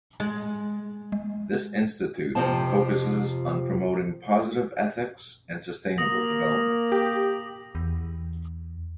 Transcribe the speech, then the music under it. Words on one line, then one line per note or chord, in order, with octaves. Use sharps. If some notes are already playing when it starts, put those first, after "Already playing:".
This institute focuses on promoting positive ethics and sustainable development.
G#3
G#3
F2 C3 D#3 F3 C4 A5
A#3 D#6 A#6 F#7
G4
E2